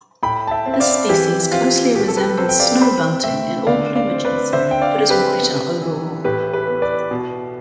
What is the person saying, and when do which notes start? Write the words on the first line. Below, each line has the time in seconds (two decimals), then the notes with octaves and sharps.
This species closely resembles snow bunting in all plumages, but is whiter overall.
0.23 A2 G5 B5
0.47 A5
0.51 E5 G5
0.66 C4
0.74 E5
0.80 D5 F5
1.09 E3 G4
1.52 C4 F4
1.95 B2 G4
2.08 A4
2.16 G4 B4
2.38 C4 A4 C5
2.49 G5
2.60 D5 F5
2.81 C4 G5 B5
3.24 A3 E5 G5
3.67 D3 D5 F5
3.96 D5 F5
4.10 C4
4.25 B4 D5
4.53 D3 C5 E5
4.71 G5
4.82 D5 F5
4.96 C4
5.10 G4 B4
5.39 B3
5.82 E3
6.24 A2 G4 B4
6.53 G4 B4
6.67 B3
6.82 B4 D5
7.11 B2